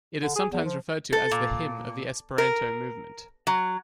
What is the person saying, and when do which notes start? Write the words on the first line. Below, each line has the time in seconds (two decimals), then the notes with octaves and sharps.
It is sometimes referred to as the hymn of the Esperanto movement.
0.21 D3
0.36 G#4
0.52 E2
0.64 F3
1.13 A4
1.31 A#2
2.38 A#4
3.47 F#3